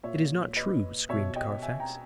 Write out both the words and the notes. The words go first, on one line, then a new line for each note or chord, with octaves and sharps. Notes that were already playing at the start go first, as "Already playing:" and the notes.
"It is not true," screamed Carfax.
A#2 C#5 E5
B4 D#5
B2 C#5 E5
D#5 G5
E5 G#5
G5 A#5